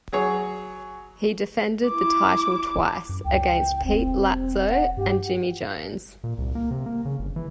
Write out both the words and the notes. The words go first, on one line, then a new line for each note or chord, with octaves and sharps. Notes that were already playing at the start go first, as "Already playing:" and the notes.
He defended the title twice, against Pete Latzo and Jimmy Jones.
F#3 G#4 C#5
E4 D6
F#2
C#2 G5
E1 C4
F#5
G2 G4
A#2
C2
A#3
C3
A#3
C#3
G1
E3